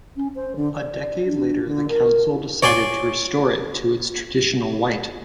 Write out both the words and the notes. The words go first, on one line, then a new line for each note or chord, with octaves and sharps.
A decade later the council decided to restore it to its traditional white.
C#4
C5
D3
D5
D4
D3
A#4
E4
C#5 D5 G#5 C6